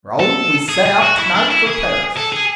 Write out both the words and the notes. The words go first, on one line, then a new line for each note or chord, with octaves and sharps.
"Raoul, we set out to-night for Paris."
A4
G#4
G#4
F#4
E4
D4
E4
G#4
A4
G#4